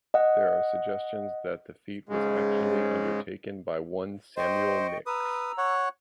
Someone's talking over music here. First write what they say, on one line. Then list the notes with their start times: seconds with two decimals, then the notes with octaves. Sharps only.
There are suggestions that the feat was actually undertaken by one Samuel Nicks.
0.14 D#5 F#5
2.09 G#2 C#3 G#3
4.37 C5 D#5 G5 C#6
5.06 B4 A#5 D#6 E6
5.58 C#5 F#5